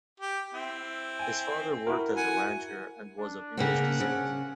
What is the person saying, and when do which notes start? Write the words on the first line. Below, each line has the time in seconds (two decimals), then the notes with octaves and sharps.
His father worked as a rancher and was of English descent.
0.20 G4
0.54 C4 E4
1.19 G5 G#5
1.87 E4 F#4 A#4
2.17 F#5 G#5
3.19 D4
3.57 C#3 A#3 C4 D4 F#5
4.00 C#3